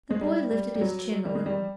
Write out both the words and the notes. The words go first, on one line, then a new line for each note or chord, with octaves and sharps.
The boy lifted his chin a little.
G#3
G3
G3
G3
F#3
G3
G#3
G3